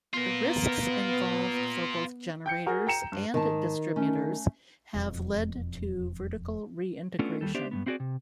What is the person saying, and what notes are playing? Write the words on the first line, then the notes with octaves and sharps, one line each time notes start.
The risks involved for both generators and distributors have led to vertical re-integration.
B3 F4 A#4
G5 G6 C#7
F#4 G#4 A#4
G5 A#5 C#7 E7
G2
G#2 D#3 G#4 A5
A3 C#4
E1 F2
A3 B3 C#4 D4 F4 A4
D#2 F3 G3 A4
B3 D4 G4 C5 D5 E5
G2 B2 B3
C4 E4 F#4 G#4 D5
C3